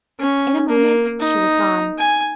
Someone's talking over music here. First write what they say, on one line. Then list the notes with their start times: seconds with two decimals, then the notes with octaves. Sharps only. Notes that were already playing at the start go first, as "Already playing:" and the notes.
In a moment she was gone.
0.20 C#4
0.68 A#3
1.20 D#4
1.99 G#5